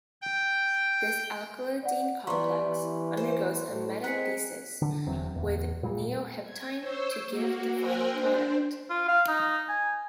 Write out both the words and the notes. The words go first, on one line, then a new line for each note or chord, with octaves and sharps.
This alkylidyne complex undergoes a metathesis with neoheptyne to give the final product.
G5
D5 F#5
E3 G3 B3 A#5 C6 C#6
E3
C5
A2
G#3 C4 G#4 A#4 F#6 B6 C#7
D3
E1 E2 F#3 C4
D1 E2
A#2 G3
G#6
C5 C#5 E6
A#3 F#4
A#4 C5 G5 G#5 E6 F#6
D4 C5
F4
F5
D#4
G#5